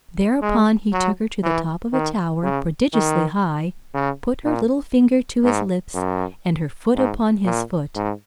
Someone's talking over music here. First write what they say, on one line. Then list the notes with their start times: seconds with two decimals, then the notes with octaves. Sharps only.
Thereupon he took her to the top of a tower, prodigiously high, put her little finger to his lips, and her foot upon his foot.
0.42 G#3
0.93 F#3
1.43 E3
1.93 D#3
2.43 C#3
2.94 D#3
3.94 C#3
4.44 A#2
5.45 G#2
5.95 F#2
6.95 G#2
7.45 A#2
7.96 G#2